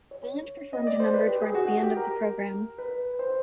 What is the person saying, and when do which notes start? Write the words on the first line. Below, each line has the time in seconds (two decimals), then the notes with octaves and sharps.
Holland performed a number towards the end of the programme.
0.11 C#5
0.73 D#5
0.87 D5
1.00 C5
1.14 B4
1.28 G4
1.42 G#4
1.55 F#4
1.83 G4
1.97 A#4
2.78 B4
3.19 C5